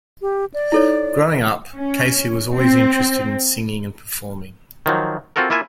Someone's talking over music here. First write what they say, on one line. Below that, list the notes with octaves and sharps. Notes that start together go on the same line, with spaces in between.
Growing up, Casey was always interested in singing and performing.
G4
D5
D#4 E4 A4 C#5
C#4
C4
D#3 F3 F#3
C4 F4 F#4 A4 A#4
A#3 E4 F4 E5 G#5